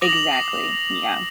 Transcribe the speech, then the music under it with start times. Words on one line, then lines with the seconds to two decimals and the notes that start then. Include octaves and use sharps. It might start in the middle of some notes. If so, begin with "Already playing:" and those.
Exactly, yeah.
0.01 D6 D#6 A#6 F7 F#7
0.32 A#6 C7